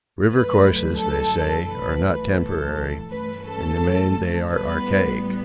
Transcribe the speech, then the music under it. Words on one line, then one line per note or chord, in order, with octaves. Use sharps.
River courses, they say, are not temporary--in the main they are archaic.
G1 F#2 D3 A3 B4
A4
B1 A2 E3 B4
A4
G2 E3 A3 C#4 B4
A4
A1 A2 G3 B3 B4